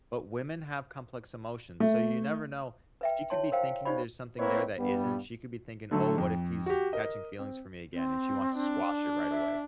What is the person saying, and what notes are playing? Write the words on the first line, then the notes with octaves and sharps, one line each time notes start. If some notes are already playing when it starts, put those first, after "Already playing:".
But, women have complex emotions, so you never know. She could be thinking there's something there that isn't. She could be thinking, oh, what if he's catching feelings for me again, and she wants to squash it right away.
A3
B4 E5 G5
E4 C#5 A5 C6
A#4 C5 F5 G5
D#4 F4 G4 C5 D5 B5
A#3 C4 E4 B4 C#5 D#5
G2 G3 B3
D3 F#3 A3 A4
F2
F#4 G4
A#4 D#5
C4
C4
D4
E5